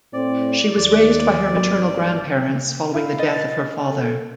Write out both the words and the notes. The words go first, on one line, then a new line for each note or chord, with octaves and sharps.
She was raised by her maternal grandparents following the death of her father.
A2 C4 D5
D#2 D5
G#1 F#3
E4 F5
D#5 A6
A4